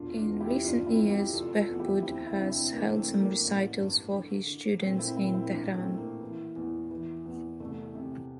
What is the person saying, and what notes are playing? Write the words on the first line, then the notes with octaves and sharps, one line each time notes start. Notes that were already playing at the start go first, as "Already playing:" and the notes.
In recent years Behboud has held some recitals for his students in Tehran.
Already playing: E1 D4 F4
D4 F4
E2
E4 G4
G1 D4 F4
C4 E4
F2
E4 G4
F1 F4 A4
F4 A4
E2
E4 G4
D2 C4 E4
C4 E4
C3 D4
C4 E4
E3 A#3 D4
A3 C4
F2
A#3
A1
G2
D3
D3
A#2 A3 C4
C4 E4
A#2 C4 E4
C4 E4
A1 A#3 D4
A3 C4
A2
A#3
E3
E2
E3
E2
C2 A3
C3